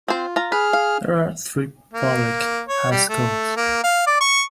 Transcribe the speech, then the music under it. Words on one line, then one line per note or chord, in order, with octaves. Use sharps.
There are three public high schools.
C4 F4 C5
F4 A#5
G#4 B4 F6
F5
A#3
C#5
G3
A3
A#3
F5
D5
C#6